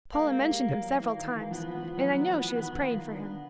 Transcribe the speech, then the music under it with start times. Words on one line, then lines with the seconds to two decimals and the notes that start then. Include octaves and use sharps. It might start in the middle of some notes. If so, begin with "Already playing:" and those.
Paula mentioned him several times, and I know she was praying for him.
0.14 G#3 A#3
0.48 G3
0.82 F#3
1.00 E3
1.18 D#3
1.35 E3
1.51 F3 B3
1.75 F3
1.97 F#3
2.20 F3
2.38 E3
2.55 D#3
2.73 F3
2.90 D#3 A#3
3.13 D3 B3